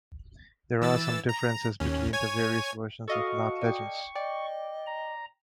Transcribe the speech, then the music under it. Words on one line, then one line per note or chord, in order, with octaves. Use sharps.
There are some differences between the various versions of the Nart legends.
E3 E6 A6
A#5
D#2 C#4
C#5 G#5 G#6
F#4 A4 D#5 F5 C#6
D5 G5
D5 D#5 G5
A#5